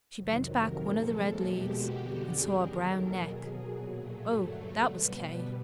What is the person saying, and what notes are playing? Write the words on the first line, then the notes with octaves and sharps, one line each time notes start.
She bent back one of the red leaves, and saw a brown neck. Oh! that was Kay!
F2 C3 D#3 F#3
A#4
A#2 F3 G#3 A4
E2 B2 G#3 G4
F#4
F2 D3 G3 G4
G#4
D#2 D#3 F#3 A#4
A4
B2 F#3 G#4
A#2 F#3
A3
G2 D3 F#3 A3
A3
B2 G3 B3